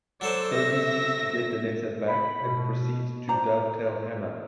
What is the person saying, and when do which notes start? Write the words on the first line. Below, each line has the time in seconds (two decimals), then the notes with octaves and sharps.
So he needs to get the letter back, and proceeds to Dovetail Hammer.
0.21 F#3 A4 C5 D5
0.52 E5 A#6
2.08 B5
2.42 B2
3.28 D4 C5 A#5